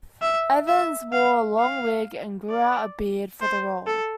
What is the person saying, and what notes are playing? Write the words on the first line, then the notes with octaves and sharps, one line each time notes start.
Evans wore a long wig and grew out a beard for the role.
E5
E5
F5
F5
D5
C5
A4